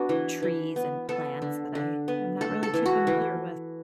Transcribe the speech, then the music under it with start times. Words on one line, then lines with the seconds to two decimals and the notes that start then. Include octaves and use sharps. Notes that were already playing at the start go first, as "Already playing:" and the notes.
trees, and plants that I am not really too familiar with.
Already playing: B3 D4 F#4
0.09 E3
0.42 E3
0.76 B3
1.09 B3 A4
1.42 D3
1.75 D3
2.08 B3
2.41 A3 A4
2.63 A4
2.74 E3
2.86 F#4
3.07 E3